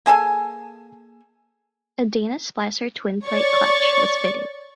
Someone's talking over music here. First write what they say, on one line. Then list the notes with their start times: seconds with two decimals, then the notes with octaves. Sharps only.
A Dana Splicer twin plate clutch was fitted.
0.06 A#3 G#4 A4 G#5
3.27 C#5 D5 C#6 A6